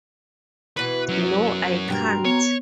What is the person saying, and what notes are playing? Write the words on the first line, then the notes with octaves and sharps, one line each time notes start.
No, I can't.
B2 E3 B4
F#3 C#4
G2 B2 C4 A#4
B3 C#5